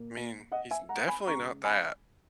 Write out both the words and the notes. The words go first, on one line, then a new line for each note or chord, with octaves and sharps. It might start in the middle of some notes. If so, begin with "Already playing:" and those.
I mean, he's definitely not that.
Already playing: A#2 A#3
D#5 F#5
E5 G#5
F#5 A#5
G#5 B5
C#3 G#3 A#5 C#6
G#5 B5